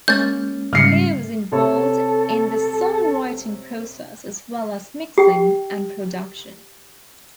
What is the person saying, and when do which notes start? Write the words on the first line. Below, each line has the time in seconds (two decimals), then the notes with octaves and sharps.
He was involved in the songwriting process as well as mixing and production.
0.08 G#3 A#3 C#4 G6 A6
0.73 G#2 C#3 G3 F6 C7 C#7
1.52 C3 A4 C#5
5.18 G4 G5